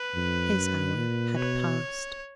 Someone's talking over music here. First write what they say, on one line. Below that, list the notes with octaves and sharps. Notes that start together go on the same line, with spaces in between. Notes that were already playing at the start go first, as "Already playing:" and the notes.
His hour had passed.
Already playing: B4
F2
F#2
A#2
B2 C#5